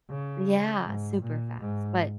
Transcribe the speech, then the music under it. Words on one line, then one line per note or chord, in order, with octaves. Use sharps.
Yeah, super fast. But,
C#3
G#2
A#2
G#2